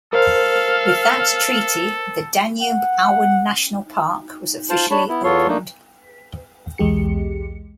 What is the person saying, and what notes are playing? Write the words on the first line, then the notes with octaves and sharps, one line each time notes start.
With that treaty, the Danube-Auen National Park was officially opened.
A4 A#4 C5 F5
F#5
F4 C5 A5
D4 C#5 A5 B5
B3 E4
E2 B3 F4 A4 C#5 C6
A3 A#3 D4 D#4
B1 E2 G#3 G4 C#7